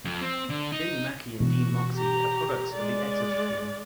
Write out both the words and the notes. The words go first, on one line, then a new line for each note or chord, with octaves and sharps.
Jamie Mackie and Dean Moxey are products of the Exeter team.
F2
C4
D3
D#4
B2 E3 F#4
G4 A#5
G#3 D5